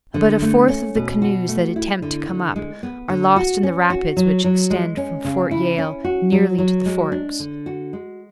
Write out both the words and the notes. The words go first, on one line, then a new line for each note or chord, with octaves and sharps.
About a fourth of the canoes that attempt to come up are lost in the rapids which extend from Fort Yale nearly to the Forks.
D3
A3
C#4
B2
F#4
A3
E4
D3
D3
G#3
B3
D3
F#4
C#4
F#4
F#3
F#3
G#3
C#4
C#3
E4
C#4
F#4
F#3
F#3
G#3
D4
D3
F#4
G#3